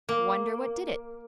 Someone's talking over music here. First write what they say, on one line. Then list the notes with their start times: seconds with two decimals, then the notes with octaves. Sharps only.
"Wonder what did it?"
0.09 A#3